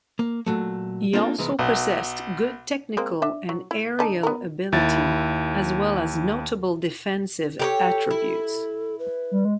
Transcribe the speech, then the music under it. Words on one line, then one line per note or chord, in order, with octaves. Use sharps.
He also possessed good technical and aerial ability, as well as notable defensive attributes.
A#3
A#2 F#3 A3
A#3 C4 D4 F4 A4
C2 E3 G#3 B3 B4 A#5
B1
G#3 A#3 C4
D4 E5
F#3
E4
D3 D#4 A5
B3 A#4
D#2 E4 A6
G4 A4 A#4 C#5
E4
B4
G3
G#3